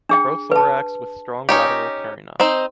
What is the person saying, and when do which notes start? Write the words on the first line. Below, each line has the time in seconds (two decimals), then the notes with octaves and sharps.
Prothorax with strong lateral carina.
0.09 D4 G#4 G5
0.51 B4 A5
1.49 C#4 D#4 G4
2.40 C4 D#4 C5